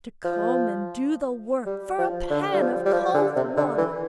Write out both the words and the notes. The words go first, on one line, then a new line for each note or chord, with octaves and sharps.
To come and do the work for a pan of cold water!
F3
G3
F3
D3
G3
F3
G3
F3
D3
C3
D3
E3